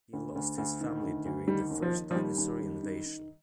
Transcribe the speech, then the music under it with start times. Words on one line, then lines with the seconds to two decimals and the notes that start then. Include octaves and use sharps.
He lost his family during the first Dinosaur invasion.
0.13 D2
0.35 D2
0.58 D2
0.81 D#3
1.03 D2
1.25 D2
1.48 D#3 G3
1.71 D#2
1.82 F3
1.93 D#3
2.11 F3
2.15 D#2 G3
2.38 D#2
2.61 D#3
2.83 D#3
3.06 D#3